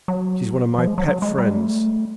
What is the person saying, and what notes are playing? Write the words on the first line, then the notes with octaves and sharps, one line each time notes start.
She's one of my pet friends.
F#3
F3
G#3
F#3
F#3
G#3
G3
G#3
A3